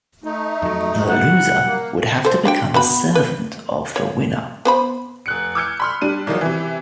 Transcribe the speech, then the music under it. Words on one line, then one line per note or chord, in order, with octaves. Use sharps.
The loser would have to become a servant of the winner.
A3 D#4
F2 F#3
F#3 G3 F#5
A#3
A4 C5
D4 F#4 G5
B3 F#4 B5
B4
C#5
B3 C5 B5
F1 F#6 C#7
D6 E6 F6 G6 G#6 C#7
B5 C6 F6
G3 D4 D#7
C2 D#3 F3 F#3
C3 E3